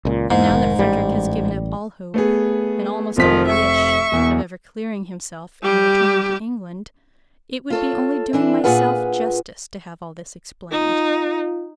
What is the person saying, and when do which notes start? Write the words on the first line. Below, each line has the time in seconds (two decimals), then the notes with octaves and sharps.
'And now that Frederick has given up all hope, and almost all wish of ever clearing himself, and returning to England, it would be only doing myself justice to have all this explained.
0.05 C#2 A#2
0.31 E2 G#2
0.51 F1 D#3
0.79 A1 G3
2.14 A3 B3 G#4
3.17 F1 D#3 F3 C4 B6
3.47 E5 C#6
4.12 E1 E2
5.63 G3 G4
7.70 F4 A4 C#5
8.33 E3 D4 E4
8.64 A#2 F4 G#4 B4 F#5
10.71 D#4 F4